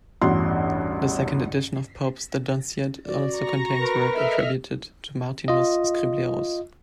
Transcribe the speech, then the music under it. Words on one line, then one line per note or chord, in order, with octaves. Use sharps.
The second edition of Pope's "The Dunciad" also contains work attributed to Martinus Scriblerus.
A1 E2 G2 F#4 C6
F#4 D5
A#5 C#6 A#6
A#4 B4
A4 D#5 E5 F6
F4 D#5